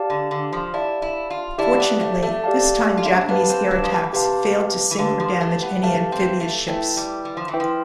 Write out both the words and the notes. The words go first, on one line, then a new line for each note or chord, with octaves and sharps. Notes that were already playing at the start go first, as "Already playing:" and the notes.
Fortunately, this time Japanese air attacks failed to sink or damage any amphibious ships.
Already playing: G4 D5 F5 A5
D3
D3
F3
E4 G4 D5 F5 A5
E4
F4
E4 G4 D5 F5 A5
B3
A3
A3
G4 D5 F5 A5
F4
E4
D4
C4
B3 G4 B4 F5 A5
C4
D4
F3
E3
C3 G4 B4 F5 A5
E3
D3 G4 B4 F5 A5
F3
A3
B3
A3 G4 B4 F5 A5
C4
A3
A3 E4 B4 E5 G5
G3
G3
F3
E3
E4 B4 E5 G5
F3